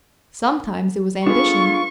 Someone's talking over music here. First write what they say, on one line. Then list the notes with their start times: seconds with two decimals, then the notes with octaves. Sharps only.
Sometimes it was ambition.
1.26 B3 D4 F4 G#4 A4 B4 C#6